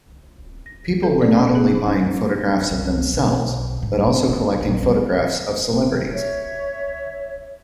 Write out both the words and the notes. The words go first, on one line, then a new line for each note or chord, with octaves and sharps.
People were not only buying photographs of themselves, but also collecting photographs of celebrities.
A#6
A4
D5
C#4
G#4
C#4
C2
B1
G#2
D#4
C3
A#1
G3
C#5 E5